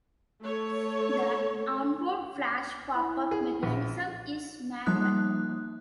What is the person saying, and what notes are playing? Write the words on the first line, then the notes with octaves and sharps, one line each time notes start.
The onboard flash popup mechanism is manual.
A3 A4 C#5
E4
G#4
A#1
F3 G3 A#3 D#4 D#6 F#6